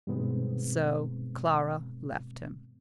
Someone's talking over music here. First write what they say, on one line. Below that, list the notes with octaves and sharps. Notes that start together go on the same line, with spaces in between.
So Clara left him.
G2 B2 D#3 G#3 B3 C4